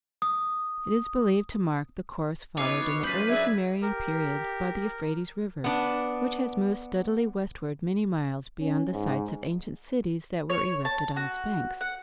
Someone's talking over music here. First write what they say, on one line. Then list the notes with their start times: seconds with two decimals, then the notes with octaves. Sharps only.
It is believed to mark the course followed in the early Sumerian period by the Euphrates river, which has moved steadily westward many miles beyond the sites of ancient cities that were erected on its banks.
0.22 D#6
2.58 B2 D#4 B4 C#5 D6 C7
3.04 F#2 F4 B4 B5 G6 B6
3.29 F#2 D4 G#4 E5 G#6
3.82 G4 A#4
5.64 B3 D4
8.60 C#4
8.92 G#2
10.50 C#5
10.85 A5
11.16 F#4
11.81 F#5